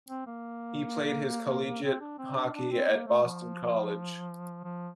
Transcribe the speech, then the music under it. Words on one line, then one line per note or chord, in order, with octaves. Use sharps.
He played his collegiate hockey at Boston College.
C4
A#3
C4
D4
C4
D4
D4
C4
A#3
A3
F3
F3